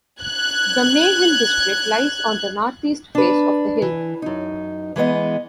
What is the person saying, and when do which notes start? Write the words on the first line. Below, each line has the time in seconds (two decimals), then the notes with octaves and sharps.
The Mayhill district lies on the northeast face of the hill.
0.21 F#6 G#6
3.15 D4 B4
3.82 E3
4.22 F#2 D#4
4.96 E3 G#3 B3 D#5